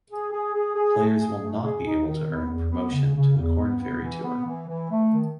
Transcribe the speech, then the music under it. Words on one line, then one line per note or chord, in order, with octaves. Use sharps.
Players will not be able to earn promotion to the Korn Ferry Tour.
G#4
G#4
G#4
G#4
A3
G#4
A3
G#4
D#4
D#3
B3
E2
B3
C#3
C#3
E2
B3
B3
E3
B3
E3
E3
A3
D#3